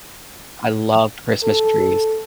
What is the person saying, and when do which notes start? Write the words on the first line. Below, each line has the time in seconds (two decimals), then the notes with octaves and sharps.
I love Christmas trees.
1.43 A4